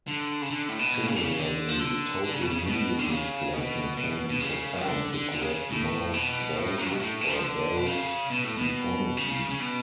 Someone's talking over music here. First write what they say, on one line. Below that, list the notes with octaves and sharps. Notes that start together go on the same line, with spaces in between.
Similarly, total knee replacement can be performed to correct mild valgus or varus deformity.
D3
C#3
D3
A2
B2
C#3
D3
C#3
D3
F3
D3
D3
C#3
B2
C#3
B2
D3
C#3
B2
B2
B2
C#3
F3
D3
D3
D3
C#3
A2
B2
A2
F#3
B2
A2
B2
F3
D3
B2
C#3
B2
A2
B2
C#3
C#3
B2